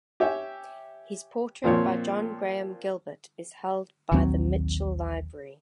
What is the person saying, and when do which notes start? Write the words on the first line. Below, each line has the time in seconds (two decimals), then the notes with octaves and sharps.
His portrait by John Graham Gilbert is held by the Mitchell Library.
0.20 G4 C#5 E5 G#5
1.64 A#2 F3 C4 C#5
4.12 A#1 D#2 F#3 C4